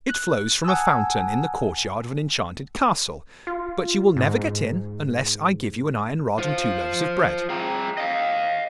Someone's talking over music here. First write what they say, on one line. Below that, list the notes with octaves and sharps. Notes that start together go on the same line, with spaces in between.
It flows from a fountain in the courtyard of an enchanted castle; but you will never get in unless I give you an iron rod and two loaves of bread.
F#6
F#5 G#5 A5 D#6 E6
F4
G#2
F4 C5
G#4 G5 A#5
D#5 F5